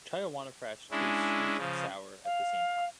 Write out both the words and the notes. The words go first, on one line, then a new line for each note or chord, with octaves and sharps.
Chyawanaprash tastes sweet and sour at the same time.
G#3 C#4 D4 E4
C#3 F3
F5